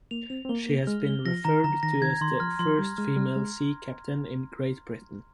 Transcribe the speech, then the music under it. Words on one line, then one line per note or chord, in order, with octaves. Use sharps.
She has been referred to as the first female sea captain in Great Britain.
A#3 F7
C4 F7
C4
A#3 G7
A#6
G#3 F6
G7
F3 A#6
D#3 A#5
D3 A#5
D#3 A#6
D#3 G#6
D#3 C6
F3 F6
F3 C6
G3 C6
G#3 F6
G3 F6
G#3 F6